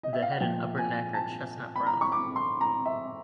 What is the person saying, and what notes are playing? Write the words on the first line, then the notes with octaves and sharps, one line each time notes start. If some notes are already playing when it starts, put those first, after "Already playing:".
The head and upper neck are chestnut brown.
D#5
E5
F5
F#5
A#2 F3 G5
G#5
A5
B5
A#5
C#6
D6
C6
A#5
E5